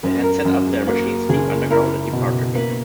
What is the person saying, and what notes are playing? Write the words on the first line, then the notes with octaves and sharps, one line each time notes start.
They had set up their machines deep underground, and departed.
F#2 B4
B4
A#4
F#2
F#4
G#4
A#3 F#4
F#1 G#4
E4 A#4
B2
A#3 B4